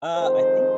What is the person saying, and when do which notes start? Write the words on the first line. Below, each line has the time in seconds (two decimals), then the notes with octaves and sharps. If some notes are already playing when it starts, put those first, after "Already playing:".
Uh, I think
0.17 F2 D#3 G#3 C5